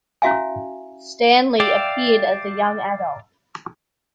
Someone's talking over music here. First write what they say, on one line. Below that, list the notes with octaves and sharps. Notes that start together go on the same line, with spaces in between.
Stanley appeared as a young adult.
C#4 E4 F#4 E5 F5 G#5
D5 E5 F5 G5 D6